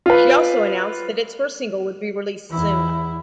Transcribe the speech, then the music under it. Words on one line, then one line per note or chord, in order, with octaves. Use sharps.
She also announced that its first single would be released soon.
F4 B4
E2 E4